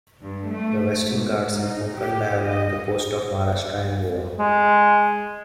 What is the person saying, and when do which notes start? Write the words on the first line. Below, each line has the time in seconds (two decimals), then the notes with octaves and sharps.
The Western Ghats and Konkan lie along the coast of Maharashtra and Goa.
0.21 G2
0.50 A3
1.09 G#2
1.61 D#4
2.00 G4
2.44 D#5
4.39 G#3